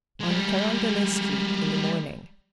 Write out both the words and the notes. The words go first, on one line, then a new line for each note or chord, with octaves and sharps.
On Carondelet Street, in the morning.
G3 G#3